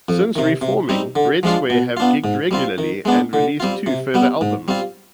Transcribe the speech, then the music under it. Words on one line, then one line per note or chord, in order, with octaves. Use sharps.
Since reforming Red Square have gigged regularly and released two further albums.
F2
C3 D#3
C3
G3 C4 D#4
D3
F3 G#3 D4 F4
B2
B3 D4 F4
G#2
G3 C4 F4
D#3
G#3 B3 D4
D3
G3 C4 F4
C3
G3 B3
G#2
G3 C4 F4